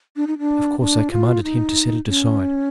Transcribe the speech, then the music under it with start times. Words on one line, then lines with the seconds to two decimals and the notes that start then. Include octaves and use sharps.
Of course I commanded him to set it aside.
0.16 D4
0.27 D#4
0.39 D4
0.80 D4
1.11 F4
1.44 D#4
2.08 C#4